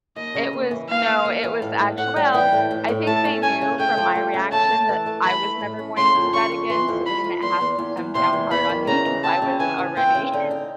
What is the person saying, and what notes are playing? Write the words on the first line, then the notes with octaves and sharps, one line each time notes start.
it was no, it was actual well, I think they knew from my reaction that I was never going to do that again, so they didn't have to come down hard on me 'cause I was already.
D#2 D#5
C#3
D#2
E3
D#2 F5
D#2
D#2
E3
A2
A2
A2 F#5
G3
E3 G5
A2
A2
A2
A3 A5
C#4
C#4 G#5
C#3
A3 G5
F3
A3
C#3
A3 A5
A3
E3
A3
E3 B5
A3
A2
C#4
C#3 C6
F2
C#3 C#6
F2
E3 C6
F2
F2 B5
F2
E2 C6
E2
E2
E2
C3 C6
E2
E2 B5
D#3
C#3 A#5
E3
C4 A5
C#3
E3 G#5
E3
C4 G5
C#3
D3
D#4